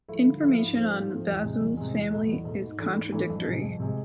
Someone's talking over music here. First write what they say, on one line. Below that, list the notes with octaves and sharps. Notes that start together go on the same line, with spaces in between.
Information on Vazul's family is contradictory.
F3 A3 E4
D3
F3 A3 E4
G#2
F3 A3 C4
G#2
F3 A3 C4
E2
C3 G#3
E2
C3 G#3
E2
B2 A3
E2
B2 A3
G#2
E3 A3 D4
G#2
E3 A3 D4
F2
C3 G#3
F2
C3 G#3